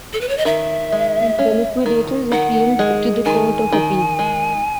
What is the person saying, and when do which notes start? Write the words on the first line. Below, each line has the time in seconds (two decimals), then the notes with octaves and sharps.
The liquidators appealed to the Court of Appeal.
0.13 A4
0.21 B4
0.29 C#5
0.38 D#5
0.45 D#3 E5
0.92 G#3
1.39 C#4
1.86 D#3
2.32 D#3 F#5
2.79 G#3
3.25 D#3 G#5
3.72 D#3
4.19 G#3